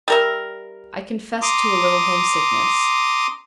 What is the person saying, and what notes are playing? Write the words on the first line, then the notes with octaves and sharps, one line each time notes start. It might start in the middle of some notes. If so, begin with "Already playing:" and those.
I confessed to a little homesickness.
G3 A#4 E5
A#5 C6 D6 D#6